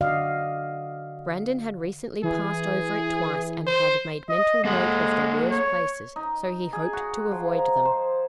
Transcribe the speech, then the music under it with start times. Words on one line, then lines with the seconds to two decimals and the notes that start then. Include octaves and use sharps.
Brandon had recently passed over it twice, and had made mental note of the worst places, so he hoped to avoid them.
0.01 D3 F#4 D5 D#5 F5
2.23 E3 G#4
3.67 C5
4.29 D#5
4.65 G#3 A#3 A4 F#5
5.51 C#5
6.16 D#4
6.73 G#4
6.93 F#4
7.31 F3
7.59 A#5
7.85 C5